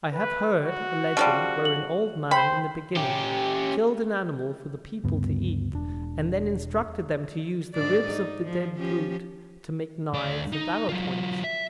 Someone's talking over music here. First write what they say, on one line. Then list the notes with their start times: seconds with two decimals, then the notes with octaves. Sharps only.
I have heard a legend wherein OLD-man, in the beginning, killed an animal for the people to eat, and then instructed them to use the ribs of the dead brute to make knives and arrow-points.
0.13 B4
0.62 F#4
1.17 C#3 F3 G3 A5
1.65 F#7
2.31 C5 G5 B5 C6
2.97 C#4 G4
5.04 D2 G2 C#3 B3
5.73 E1 D4
7.74 G#2 D4 D5
8.08 D#4
8.44 F3
8.76 F3 C#4 G4
10.13 D2 D5
10.52 D#4
10.89 F#3 F4
11.44 E5